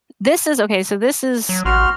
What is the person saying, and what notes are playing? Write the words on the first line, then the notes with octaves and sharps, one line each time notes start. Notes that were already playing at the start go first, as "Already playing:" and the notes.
this is okay, so, this is
F#3
A1 F#4 C6 F6